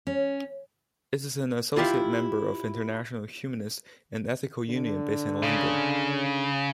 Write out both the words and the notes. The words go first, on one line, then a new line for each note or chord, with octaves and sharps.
It is an associate member of International Humanist and Ethical Union based in London.
C#4
E4 F4 G4 E5 F5
D3
C#3